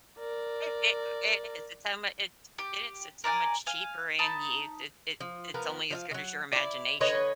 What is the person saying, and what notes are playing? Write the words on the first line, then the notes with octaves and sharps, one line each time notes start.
I i it is, it's so much it's it is. It's so much cheaper, and you it it it's only as good as your imagination.
A#4 D5
G4
A#4 D5 F#5 G#5
F5 G#5
D#4 A5 B5
F3
F3 B3 A#4
F3 D5 F5
D#3 F#3
E4 D5
D3 B4 C#5 D#5